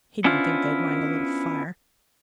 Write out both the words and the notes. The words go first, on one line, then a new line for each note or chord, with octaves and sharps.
He didn't think they'd mind a little fire.
B3 C#4 D4 E4 F4 C5